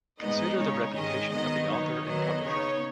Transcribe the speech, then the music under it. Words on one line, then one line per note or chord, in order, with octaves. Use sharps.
Consider the reputation of the author and publisher.
G#2 G#3 B3 D#4 D#5
C#3 G#3 D#4 C#5
G#2 D#3 G#3 C#4 D#5
F#2 D#3 B3 D#5
D#3 B3 D#4 C#5
D#3 F#3 B3 D#5
C#3 B3 D#4 C#5